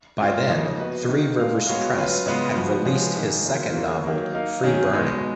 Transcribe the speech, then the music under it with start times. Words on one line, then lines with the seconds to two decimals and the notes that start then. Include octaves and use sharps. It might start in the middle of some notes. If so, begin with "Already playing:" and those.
By then, Three Rivers Press had released his second novel, "Free Burning".
0.19 G#3 C#4 F4
0.48 C#3 F3 A#3 D#4
0.78 B3 F#4 B4 D#5
1.09 D#3 A#3 D#4
1.38 G#3 D#4 A#4 F5
1.67 G#3 B3 F#4 C#5 F5
1.97 F#3 C#4 F4 B4
2.26 C#3 G#3 B3 F4
2.56 F3 B3 F#4
2.85 F3 G#3 C#4 G#4 B4
3.16 D#3 A#3 D#4 G#4
3.46 D#3 F#3 B3 F4 A#4
3.74 A#3 C#4 F4 A#4
4.04 D#3 F#3 A#3
4.34 A#3 D#4 A#4 F5
4.64 D#3 F#3 C#4 G#4
4.93 B2 G#3 B3 D#4